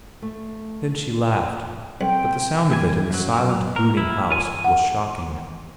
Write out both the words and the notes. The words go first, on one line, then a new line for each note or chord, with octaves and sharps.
Then she laughed; but the sound of it in the silent, brooding house was shocking.
A3
B1 C4 G5
D#2 G3 G#5
F#2 F#3
F#3
A#4
E4
F4 G#5
F#5